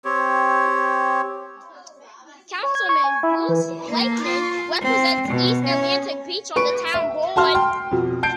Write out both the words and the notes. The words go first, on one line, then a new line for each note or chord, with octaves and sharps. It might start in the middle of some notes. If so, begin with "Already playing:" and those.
Councilman Bruce Blakeman represents East Atlantic Beach on the Town Board.
C4 G4 C#5
C#5
G#6
C#6
G#5
E4
E4
E3
A#3
F4
C4
B2
C#4
B4 C#6 D7
E5
F#4 A5 C6 F6
G5 C6 F6
F2 B2
A5 G6 C7 D7